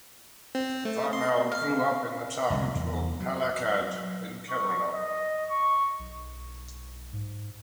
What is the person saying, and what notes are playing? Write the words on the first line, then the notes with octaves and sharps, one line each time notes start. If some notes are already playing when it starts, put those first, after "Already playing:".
Vimal grew up in the town called Palakkad in Kerala.
C4
A3
C6
F5
F1 C2 D3 G#3
E2
F#3
C#6
D#5
C#6
B1
G#2